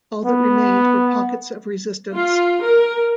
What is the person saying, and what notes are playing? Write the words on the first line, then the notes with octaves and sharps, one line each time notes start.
All that remained were pockets of resistance.
B3
F4
A#4